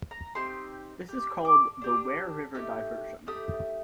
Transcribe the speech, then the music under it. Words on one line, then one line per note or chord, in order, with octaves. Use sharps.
This is called the Ware River Diversion.
A#5
C4 D#4 G4 C6
D4 G4
D6
D4 G4
A3 D#4 G4
A3 D#4 G4 D#6